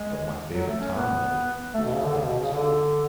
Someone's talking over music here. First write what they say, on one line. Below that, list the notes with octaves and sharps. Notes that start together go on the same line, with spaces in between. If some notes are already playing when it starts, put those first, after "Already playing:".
but my favorite time of it was when it was over,
Already playing: G#3
F#3
A3
C#4
B3
A3
B2
C#3
D3
C#3
B2
C#3
D3